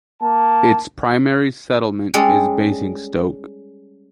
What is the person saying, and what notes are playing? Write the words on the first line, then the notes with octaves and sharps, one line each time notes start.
Its primary settlement is Basingstoke.
A#3 A5
G3 G#3 C#4 G#4 A4